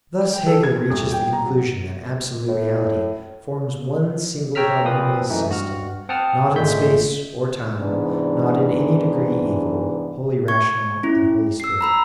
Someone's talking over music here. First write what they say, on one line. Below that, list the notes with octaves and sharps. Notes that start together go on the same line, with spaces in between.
Thus Hegel reaches the conclusion that Absolute Reality forms one single harmonious system, not in space or time, not in any degree evil, wholly rational, and wholly spiritual.
G5
A4
G#6
D#1
G5
A#5
F#3
A2
C#5 G5 A#5 E6 F6 B6
A#2 F3 A#3 C4 B4 D#6
F#2 E3 A3 D#4
G2 F#4 F6
C4 F#5 G5 A5 D#6 F6
G#1 A#2 G#3 A3 G6 B6
G#2 C3 E3 B3 D4
C#6 G#6
C#4 E4
E6 C7
A#5 B5 E6